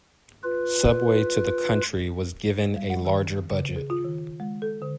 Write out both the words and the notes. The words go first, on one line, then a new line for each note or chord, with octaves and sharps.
"Subway to the Country" was given a larger budget.
F4 B4
G3
F#5
D#3
C#3
G#4
F4
D#3
G#3
A4
D3